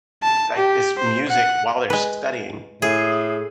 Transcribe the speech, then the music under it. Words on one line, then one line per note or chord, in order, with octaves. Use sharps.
like, this music while they're studying.
A5
G4
C5
F#5
G#3 B4
A2 G#4